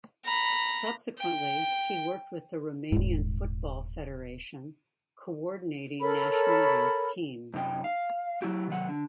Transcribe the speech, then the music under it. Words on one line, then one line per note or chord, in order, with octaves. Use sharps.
Subsequently he worked with the Romanian Football Federation, coordinating national youth teams.
A#5 B5
G5
D#1 G#2
A4 A#4 C#5 B5
F#2 C3 D#4 G5
F5
F#3 E4 F#4 G4
C3 D#3 F#3 F#5
D3